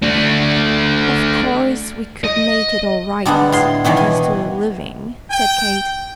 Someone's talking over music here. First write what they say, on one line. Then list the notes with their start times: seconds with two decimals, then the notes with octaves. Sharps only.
"Of course we could make it all right, as to a living," said Kate.
0.03 A3 D4
2.24 D#5
3.26 D3 G3 G#3 B3
3.52 A2 C6
3.84 B2 D#3 E3 F#3 G3
3.97 G#5
5.30 G5